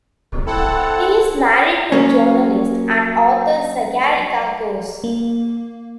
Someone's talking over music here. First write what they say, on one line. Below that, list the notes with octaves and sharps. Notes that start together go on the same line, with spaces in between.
He is married to journalist and author Sagarika Ghose.
C4 E4 A4 F#5
F#3 A#3 C#4
A#3